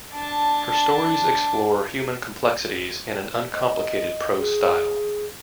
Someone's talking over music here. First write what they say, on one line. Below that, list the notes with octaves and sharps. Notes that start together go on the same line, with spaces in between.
Her stories explore human complexities in an uncomplicated prose style.
D4 A5
D#5
G#4